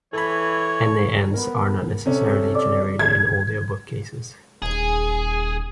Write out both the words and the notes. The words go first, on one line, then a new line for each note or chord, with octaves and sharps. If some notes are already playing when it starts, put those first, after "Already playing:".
NaNs are not necessarily generated in all the above cases.
E3 A4 C#5 B5
B3 A#4
C3 C#4 A4
D5
G#6
D#1 G#4